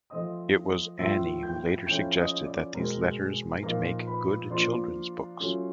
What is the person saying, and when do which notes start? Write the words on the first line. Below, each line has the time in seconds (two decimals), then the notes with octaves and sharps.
It was Annie who later suggested that these letters might make good children's books.
0.10 F3 A3 C4 D#5 D#6
0.99 A2 F3 A3 C4 F4 E5 E6
1.43 G5 G6
1.86 F3 A3 C#4 E4 G5 G6
2.16 D#5 D#6
2.45 D5 D6
2.74 B2 G#3 C4 A#4 A#5
3.62 A#2 F3 A#3 D#4 A#4 A#5
4.07 B4 B5
4.50 F3 A#3 D4 F4 C5 C6
5.39 F#3 A3 C#4 F4